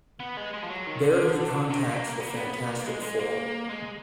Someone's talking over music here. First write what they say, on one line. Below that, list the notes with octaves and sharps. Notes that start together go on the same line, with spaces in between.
There he contacts the Fantastic Four.
B3
G#3
G#3
F3
F#3
D#3
D3
D#3
A#3
B3
A#3
B3
B3
A#3
G#3
G#3
A#3
G#3